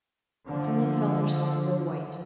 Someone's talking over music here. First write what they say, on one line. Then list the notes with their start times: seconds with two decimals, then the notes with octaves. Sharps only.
Helen felt herself grow white.
0.46 D3 F3